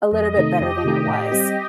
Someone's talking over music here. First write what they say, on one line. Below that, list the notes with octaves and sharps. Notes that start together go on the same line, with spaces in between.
a little bit better than it was.
F2 D#5
C3 D#3 A3 D#4
F2 G4
C3 D#3 A3 D#4
A2
G3 C4 G4